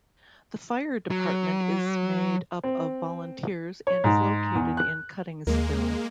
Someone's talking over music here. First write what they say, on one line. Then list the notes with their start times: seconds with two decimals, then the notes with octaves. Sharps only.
The fire department is made up of volunteers and is located in Cuttingsville.
1.11 F#3
2.64 C4
3.87 C#5
4.04 G#2
4.55 E2
4.77 F#6
5.47 D#2 G#3 A#3